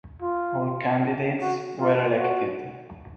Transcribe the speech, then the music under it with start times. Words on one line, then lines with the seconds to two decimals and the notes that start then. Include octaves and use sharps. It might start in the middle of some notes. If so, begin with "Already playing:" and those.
All candidates were elected.
0.22 F4
1.41 F#4
1.80 F4
2.18 F#4